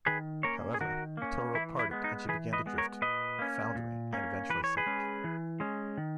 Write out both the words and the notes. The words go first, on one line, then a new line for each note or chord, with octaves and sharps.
However, the tow rope parted and she began to drift, foundering, and eventually sank.
D#3 G#4 B4
A#3 C#4 A#4 C#5
G#4
D#3 F#4 A#4
A#3 C#4
E3 E4
E4
G#3 B3
D#4
E3 G#4 B4
B4 D#5
G#3 B3
A#4 C#5
A#2 B4 D#5
A#3 C#4
A#2
A#3 C#4
E3 B4
C#5
G#4 B4
G#3 C#4
E3
G#3 C#4
D#3